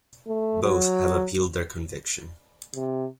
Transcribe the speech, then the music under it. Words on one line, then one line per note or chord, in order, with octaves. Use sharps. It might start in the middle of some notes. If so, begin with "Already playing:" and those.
Both have appealed their conviction.
A3
F#3
C3